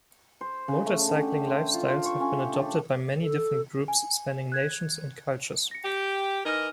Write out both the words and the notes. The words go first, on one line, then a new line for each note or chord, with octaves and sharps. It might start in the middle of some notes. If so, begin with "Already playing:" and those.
Motorcycling lifestyles have been adopted by many different groups spanning nations and cultures.
C5
C#3
A3
D3
G4
C5
F4
F4
C#6
C#4
G4
D4
A4
G#5
F#6 G#6
A#6 C#7
G4
E3 D#4 A#4 D#5 F6